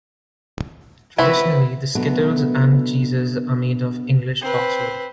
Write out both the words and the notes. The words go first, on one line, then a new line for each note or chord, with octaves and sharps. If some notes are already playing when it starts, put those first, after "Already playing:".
Traditionally the skittles and the cheeses are made of English boxwood.
C4 E4 F#4 B4
B2 D3 F#3 A3 B3
C4 B4